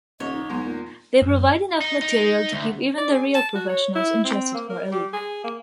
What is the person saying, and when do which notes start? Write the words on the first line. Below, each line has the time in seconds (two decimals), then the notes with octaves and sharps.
They provide enough material to keep even the real professionals interested for a week.
0.20 D#1 C2 C#5 D#5
0.33 D#4
0.50 B1 E2 G#3
0.66 A#2
1.22 F#2
1.81 D#4
2.02 D#4
2.52 D2
2.98 D5
3.10 G#4
3.35 A5
3.55 F#4
3.69 C#5
3.95 E4
4.24 C4
4.54 A#3
4.69 A#4
4.92 G3
5.13 G#4
5.44 A#3